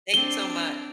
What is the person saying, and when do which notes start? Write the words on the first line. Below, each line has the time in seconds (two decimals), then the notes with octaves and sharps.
Thanks so much.
0.14 C4 D4 G7